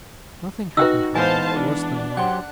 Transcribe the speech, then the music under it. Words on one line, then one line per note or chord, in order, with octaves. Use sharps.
Nothing happened, however, worse than morning.
D#4 F#4 B4 G5 E6
E3 G#3 B3 C5 F5 G#5 A5
D4
F#3 G4 C5 F#5